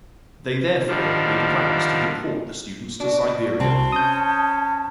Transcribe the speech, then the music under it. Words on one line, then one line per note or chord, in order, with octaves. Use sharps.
They therefore made plans to deport the students to Siberia.
D3 D#3 F3 G3
D4 F#4
C2 C4 A5
C#4 D#6 G6